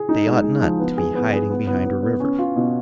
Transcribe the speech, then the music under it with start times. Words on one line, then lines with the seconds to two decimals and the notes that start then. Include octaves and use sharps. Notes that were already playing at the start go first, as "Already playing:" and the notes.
They ought not to be hiding behind a river.
Already playing: G#4
0.09 D#4
0.27 G#3
0.43 G#3
0.61 F3
0.79 B3
0.98 G#4
1.15 B3
1.33 G#4
1.50 B3
1.67 B3
1.85 B3
2.03 B3
2.20 C#4
2.39 F4
2.56 B2